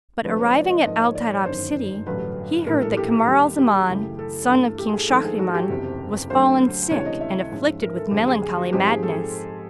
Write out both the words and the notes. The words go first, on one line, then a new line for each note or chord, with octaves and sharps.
But arriving at Al-Tayrab city, he heard that Kamar al-Zaman, son of King Shahriman, was fallen sick and afflicted with melancholy madness.
D2 C3 F3 G#3 B4
C#5
D5
D#5
G#2 F3 A#3 D#5
C#5
D5
C#5
G1 F#2 D#3 C5
A1 G2 D3 F#3 B4
A#1 A2 E3 A#4
A4
G4
D#2 D#3 G3
G4
F#2 C#3 E3 A3 C#4
A4
G2 E3 A3
G4
G#4
G#1 G#2 F3 A3 D4 A4
G#4
F#4
G4
F#1 E2 C3
D2 D3 F#3 C5
C#2 C3 E3 A3 D4 C#5
D#5
E5
G#2 F3 G#3 C#4
A#4
A4
F2 D3 F#3 A3 G4
G#4
G#4
F#4
G#2 F3 G#3 C4 G4
G#4
A4
G#4